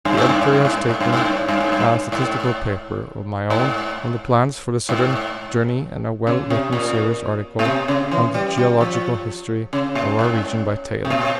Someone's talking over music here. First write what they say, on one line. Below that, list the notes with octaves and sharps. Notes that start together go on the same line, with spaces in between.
The Editor has taken a statistical paper of my own on the plans for the Southern Journey and a well-written serious article on the Geological History of our region by Taylor.
G2
G#2
G2
G#2
G2
G#2
G2
G#2
G2
G#2
G2
G#2
G2
G#2
G2
G#2
G#2
G#2
C#3
C3
A#2
A#2
C3
C#3
E3
G3
G3
F3
C#3
A#2
G#2
C3
A#2